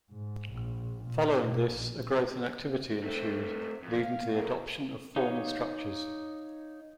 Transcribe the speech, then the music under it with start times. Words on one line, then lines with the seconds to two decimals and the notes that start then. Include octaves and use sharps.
Following this a growth in activity ensued, leading to the adoption of formal structures.
0.11 G#2
0.52 A#1
1.04 A#2
1.39 B2
1.73 A#1
3.03 A3 C4
3.82 F2
4.00 F5
4.39 G2 A#4
5.16 D#4 C#5 F5